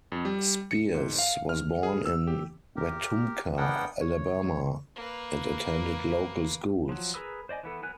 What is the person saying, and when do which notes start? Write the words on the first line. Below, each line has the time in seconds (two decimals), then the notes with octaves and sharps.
Spiers was born in Wetumpka, Alabama, and attended local schools.
0.12 F2
0.25 G3
0.71 C#7
0.94 G#2
1.18 F5
1.49 F6
1.83 G#4
2.06 E6
2.27 G4
2.76 G4 A#4
3.57 B3 D4 G#4 A#4 F#5 G5
4.01 C#5
4.95 A#3 B4
6.89 F3 F#3
7.14 G#4 A#4 B4 D#6 E6
7.49 C5 D5 D#5 G#5
7.63 E3 B3 A4
7.83 F#3 B3 A#4 G#5 F#6